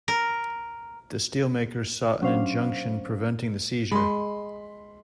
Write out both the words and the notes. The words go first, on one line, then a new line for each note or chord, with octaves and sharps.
The steelmakers sought an injunction preventing the seizure.
A#4
F#3 C#4 D4 C5 F5
G#3 B5 C6